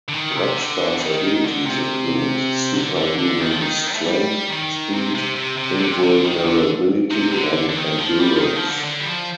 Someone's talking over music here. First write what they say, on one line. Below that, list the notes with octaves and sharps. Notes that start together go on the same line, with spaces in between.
Red Star's abilities include superhuman strength, speed, invulnerability, and endurance.
D3
D#3
C3
D3
D#3
D3
C3
D3
D3
D3
D#3
F3
D#3
A3
G3
D#3
C3
C3
C3
C3
D3
C3
D3
D#3
D3
C3
D3
D3
D3
D#3
F3
G3
F3
D#3
F3
D3
D3
G3
F3